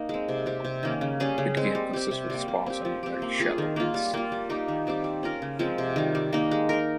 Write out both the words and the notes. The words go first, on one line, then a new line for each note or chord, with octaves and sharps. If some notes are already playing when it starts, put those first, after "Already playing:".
Pygidium consists with sparse and very shallow pits.
Already playing: A#3 D#4
G#3 C4
C3
G3 C4 G4
C3
D#3 A#3 C#4
C#3
G3 C#4 G#4
C#3
G#3 C4
G3
C4 G4
C3
G3 A#3
G3
C4 G4
F3
C4 G4
A#3
F4 G#4
D#3
A#3 F4
G3
A#3 F4
G3
A#3 D#4 G4
D#3
G3 C4 G4
G3
C#4 F4 A#4
C#3
F3 G#3 C4
C3
D#3 G3
G3
A#3 D#4
G#3
D#4 A#4